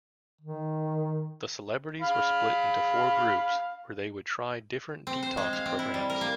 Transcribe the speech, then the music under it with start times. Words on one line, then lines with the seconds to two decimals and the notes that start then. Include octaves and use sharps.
The celebrities were split into four groups where they would try different detox programmes.
0.41 D#3
2.02 F5 B5
5.07 C4
5.23 C5
5.37 G#3
5.53 F5
5.66 C4
5.79 E4
5.94 G3
6.10 A#4
6.21 A#3